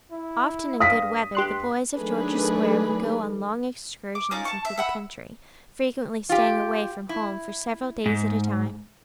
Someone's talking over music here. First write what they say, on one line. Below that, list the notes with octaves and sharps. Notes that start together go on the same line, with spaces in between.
Often in good weather the boys of George's Square would go on long excursions into the country, frequently staying away from home for several days at a time.
E4
G2 F5 D#6 A#6 B6
G2 G4 C6 F#6
D#3 F#3 A3 D4 G#4 B4
D6
C#4 D#4 F4 D5
A5 C#6
E5
E5 F#5 B5
F4 G4
E4
G#2